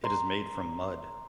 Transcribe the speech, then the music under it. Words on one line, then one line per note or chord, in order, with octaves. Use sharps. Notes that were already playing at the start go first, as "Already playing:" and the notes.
It is made from mud.
A#5 C6